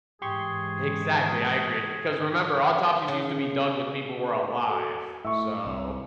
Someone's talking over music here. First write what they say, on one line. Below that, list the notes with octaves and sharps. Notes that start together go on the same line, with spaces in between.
Exactly. I agree, 'cause remember, autopsies used to be done when people were alive. So
G#2 E3 G#3 G4 G#4 C6 C#6
C#3
F#4 A4
A2 E5 C#6 E6
C2